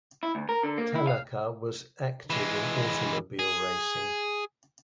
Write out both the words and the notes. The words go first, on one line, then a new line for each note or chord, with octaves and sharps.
Tanaka was active in automobile racing.
E4
D2
A#4
D3
A#3
E4
F5
E3 G#3
G#4